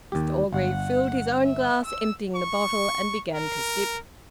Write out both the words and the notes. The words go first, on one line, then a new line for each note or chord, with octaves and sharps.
Mr Orgreave filled his own glass, emptying the bottle, and began to sip.
D#2 G4
G1 F#5
E5
E6
C#6
A#4